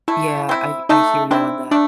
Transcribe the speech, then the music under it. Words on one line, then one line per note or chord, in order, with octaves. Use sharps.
Yeah, I I hear you on that.
A3 E4
C4 E4
A3 D#4
C4 D4 E4
A3 D4